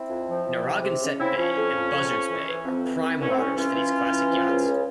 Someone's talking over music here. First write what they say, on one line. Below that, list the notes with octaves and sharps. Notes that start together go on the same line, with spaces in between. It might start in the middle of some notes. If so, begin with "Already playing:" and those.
Narragansett Bay and Buzzards Bay are prime waters for these classic yachts.
Already playing: C4 E4
F2
F3
F3
C3
C3
C#3 C#4
C#3 C4 E4
F3 C#4
F2
F2
F2
F2
E3
E3
F2 C4
E3
E3
C2 C#4
C4
C2 C#4
E3 C#4 F4
E3
E3
E3
F3
C#2
C#3